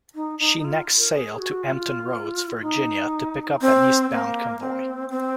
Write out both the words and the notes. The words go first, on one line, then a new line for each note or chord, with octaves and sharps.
She next sailed to Hampton Roads, Virginia, to pick up an east bound convoy.
D#4
D#4
D#4
F4
A#4
G#4
F#4
F4
D#4
C4
A#3
C4
C4